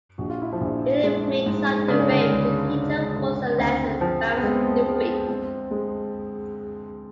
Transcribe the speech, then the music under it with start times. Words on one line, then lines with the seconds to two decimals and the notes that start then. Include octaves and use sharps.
Lily makes up the rave to teach her folks a lesson about snooping.
0.18 A#1 F#4
0.30 F4
0.42 E4
0.53 F3 F4
0.61 A#1
1.03 G#3
1.46 G#2
1.88 C#3 D4
1.99 C#4
2.10 D3 D4
2.31 C#2
2.74 C#3
3.16 C#3
3.58 D2 C4
4.01 F3
4.37 B3
4.44 G#3 C4
4.86 G#3
5.29 G#3 C4
5.71 G#3